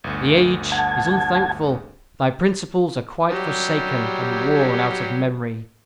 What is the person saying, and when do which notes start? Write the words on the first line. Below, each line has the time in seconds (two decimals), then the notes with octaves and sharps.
The age is unthankful, thy principles are quite forsaken, and worn out of memory.
0.04 G1 D2
0.72 F#5 A5 G#6
3.30 F#3 G3 G4